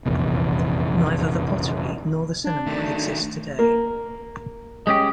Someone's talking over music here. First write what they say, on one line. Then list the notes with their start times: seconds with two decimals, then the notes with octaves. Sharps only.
Neither the pottery nor the cinema exist today.
0.06 F1 A#1 E2
2.44 D4
2.66 D#3 A3
3.59 A#3
4.87 G#3 C#4 G4 D#5